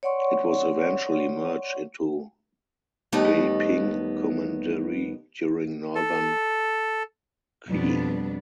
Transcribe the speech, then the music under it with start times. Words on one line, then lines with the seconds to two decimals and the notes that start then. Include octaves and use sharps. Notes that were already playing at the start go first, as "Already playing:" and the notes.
It was eventually merged into Beiping Commandery during Northern Qi.
0.03 C#5 D5 F#5 C6 C#6
3.12 D#2 G3 A3 B3 D#4
5.95 A4
7.68 F2 B2 G3 B3 D4